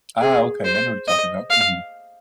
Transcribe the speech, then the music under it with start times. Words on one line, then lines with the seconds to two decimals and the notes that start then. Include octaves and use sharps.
Ah, okay, I know what you're talking about. Mhm.
0.22 G#4
0.65 C5
1.08 D#5
1.50 F5